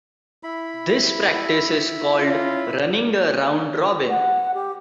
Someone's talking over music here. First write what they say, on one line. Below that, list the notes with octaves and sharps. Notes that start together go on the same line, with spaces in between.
This practice is called "running a round-robin".
E4 B5
C#4 F4
F#5
G4